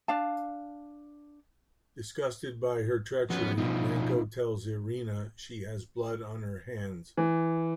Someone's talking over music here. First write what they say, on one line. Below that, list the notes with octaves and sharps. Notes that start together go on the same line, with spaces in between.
Disgusted by her treachery, Renko tells Irina she has blood on her hands.
D4 F5 A5
F3 F#3 B3 C#4
B2 F3 D#4 F4
E3